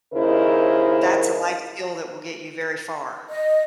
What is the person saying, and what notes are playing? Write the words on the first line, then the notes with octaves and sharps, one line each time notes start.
that's a life skill that will get you very far.
D#2 C#3 E4 A#4 C5 D#5
D#5